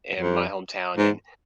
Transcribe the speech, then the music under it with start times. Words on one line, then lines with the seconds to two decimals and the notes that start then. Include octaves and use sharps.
in my hometown, and
0.20 F2
0.97 G#2